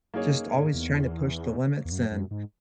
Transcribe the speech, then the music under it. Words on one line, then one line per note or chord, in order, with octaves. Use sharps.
just always tryna push the limits and,
F#2 A#3 D#4 G#4 C#5
F#2
G#2
E2
E2
F#2
F#2
G#2